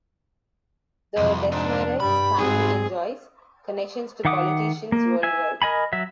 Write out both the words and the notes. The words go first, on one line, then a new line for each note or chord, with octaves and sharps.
The Desmarais family enjoys connections to politicians worldwide.
C2 F2 C3
G#2 D4
G2 G3 B5
G#2 C4 D#4 F#4 G#4
D#3 E5 F#5 D6 D#6
A#3
E5 G#5
A#4 D#5 G#5 B5
F#3 E5